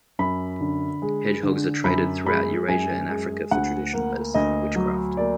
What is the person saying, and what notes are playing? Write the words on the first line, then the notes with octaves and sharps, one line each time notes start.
Hedgehogs are traded throughout Eurasia and Africa for traditional medicine and witchcraft.
F#2 B5
D3
G#3
D3
F#2 B5
G#3 B5
F#2 G#5
G#3
D2 F#5
A#3
D2 D#5
F#3
A#3 D5